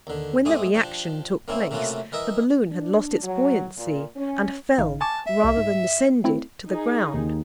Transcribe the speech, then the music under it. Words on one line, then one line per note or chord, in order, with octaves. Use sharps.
When the re-action took place, the balloon had lost its buoyancy, and fell, rather than descended, to the ground.
D#2 D3
G#2 A3 C4 G#4 D6 D#6
F3 D4 G4
A#3 C4 C#4 E4
C3 A3 A#3 C#4 F4 F#4
E3 A#4 D#5 E5
D4
F#3
A#2
C#4
G#1 D#4 F5
G#5 A5 C#6 D6
E5
C2 G3
G#2
A3 C4 E4
D#4 G#4
D#2